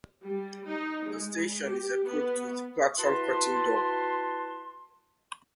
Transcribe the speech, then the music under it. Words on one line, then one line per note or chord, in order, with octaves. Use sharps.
The station is equipped with platform curtain door.
G3
D#4
G#3
G4
B3
E4 F#4 B4 A5 C6